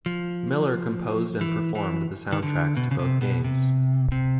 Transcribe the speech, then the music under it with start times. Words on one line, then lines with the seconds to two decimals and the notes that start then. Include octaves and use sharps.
Miller composed and performed the soundtracks to both games.
0.06 F3
1.41 E3
1.75 E3
2.32 D#3
2.43 D3
2.77 B2
2.91 C#3
2.99 C3
3.22 B2
3.44 C3
4.12 C3